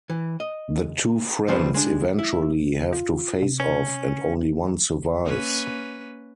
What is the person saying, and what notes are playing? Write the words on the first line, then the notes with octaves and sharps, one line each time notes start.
The two friends eventually have to face-off and only one survives.
E3
D#5
C#2 F3 G3 C4 B4 C5
G#3 D4
E4
F4
C3
C#4
A#3 C#4 B4